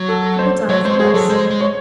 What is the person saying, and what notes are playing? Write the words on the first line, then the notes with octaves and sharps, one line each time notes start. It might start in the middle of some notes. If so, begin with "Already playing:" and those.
People dine for less.
Already playing: F#3
A4
C5
F#3 C#5
G#3 C5
G#3 G#4
F#3 A4
G#3 C5
G#3
C#5